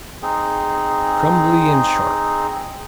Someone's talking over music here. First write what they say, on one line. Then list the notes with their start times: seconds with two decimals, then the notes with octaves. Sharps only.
Crumbly and sharp.
0.23 C4 D#4 G#4